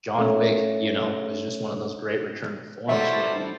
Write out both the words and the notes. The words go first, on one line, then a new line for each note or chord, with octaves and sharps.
John Wick, you know, was just one of those great return to forms where he
A3 C#4 C#5
F#3 G3 A3 E4 A4 C5 E5